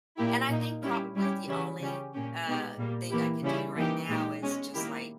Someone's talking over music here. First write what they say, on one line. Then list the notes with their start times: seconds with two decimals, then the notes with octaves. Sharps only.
And I think probably the only, uh, thing I could do right now is just like
0.17 A#2 A#3 E4 G4
0.49 A#2 A#3 D#4
0.82 G3 C#4 E4 G4
1.15 G3 C#4 E4 G4
1.47 C#3 E3 G3 C#4 E4
1.80 C#3 G3 C#4 G4
2.13 A#2 A#3 C#4 G4
2.45 B2 G#3 B3 D#4 G4
2.78 A#2 G3 A#3
3.10 E3 A#3 E4 G4
3.43 C#3 G3 C#4 E4
3.76 E3 A#3 D#4 G4
4.09 A#2 G#3 D#4 G4
4.41 B2 G#3 C#4
4.74 D#3 A#3 E4 G4